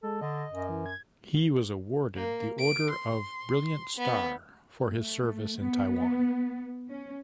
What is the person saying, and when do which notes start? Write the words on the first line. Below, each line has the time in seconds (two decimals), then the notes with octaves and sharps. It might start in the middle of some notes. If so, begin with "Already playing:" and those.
He was awarded the Order of Brilliant Star for his service in Taiwan.
0.03 G#3 A4
0.21 D3 D#5
0.50 F#2
0.69 E3
0.86 G#6
2.16 A#3
2.59 D7
2.91 C6
3.96 B3
4.90 A3
5.58 B3
6.89 C#4